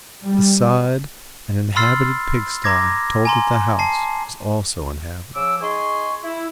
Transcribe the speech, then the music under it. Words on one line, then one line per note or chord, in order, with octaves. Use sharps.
At the side an inhabited pig-sty told that the house was also inhabited.
G3
B5 C6 E6 F6 A6 C7
A#5 C6 D6 G#6 A#6
G#5 A#5 C6
A5 C7
C#3 F3 D6 E6
D#4 G#4 G#5 C6 C#6
E4